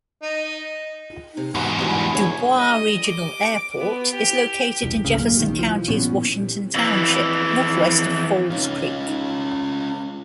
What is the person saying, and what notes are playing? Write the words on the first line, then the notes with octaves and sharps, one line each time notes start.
DuBois Regional Airport is located in Jefferson County's Washington Township, northwest of Falls Creek.
D#4
C3
E2 G#2 F#4
G2 B2 E4
E4 G#4 C#5
D#5
D6
B3
G4
E1 C2
G1 C#2 C#3
D1 B1 A#3
B1 D#3
F3
A#2 B3 C#4
F2 E3
C#4 F4